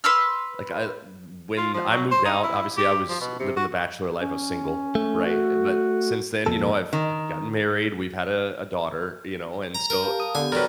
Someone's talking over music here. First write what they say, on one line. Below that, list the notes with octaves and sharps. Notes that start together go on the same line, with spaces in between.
like, I l when I moved out, obviously I was living the bachelor life, I was single, right, uh, but since then, you know, I've I've gotten married, we've had a a daughter, you know, and so
B4 C6 E6 F6
F4
F3
F#3
C5
D#4
E4
G4
F3
B2
C3
F#4
C#4
A3
F#4
F2 A#2 A4
D#3
A#5
A#4
G4 F5 A5
F5 A5 D#6
D3 B3 G4 G#5
D3 F#3 A#4 B4 D5 G5